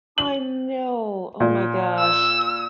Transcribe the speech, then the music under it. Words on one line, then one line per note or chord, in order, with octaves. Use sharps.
I know. Oh my gosh.
F#7
A#2
E6